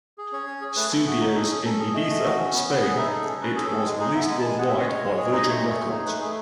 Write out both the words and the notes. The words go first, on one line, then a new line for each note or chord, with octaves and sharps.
Studios in Ibiza, Spain, it was released worldwide by Virgin Records.
G#4
C#4 C#5
C#4
G#4
A3 B4
A3 A4
F#4 G#4
D#4
G#4 A4
C#4 G#4
C#4 A4
G#4
A3 D#5
A3
F#4
C#4
B3
B3
G#4 F#5
D#4 E5
G#4 A4
C#4
C#4 B4
G#4 A4
G#4
G#3
D#4 G#4
B3 E5
G#3 G#5
A5
G#3
G#5
G#4 F#5
E5
C#4 D#5
G#3 C#5
G#3
G#4
D#4 D#5
A3 C#5
A3
G#4
D#4
A3 B4
A3 G#4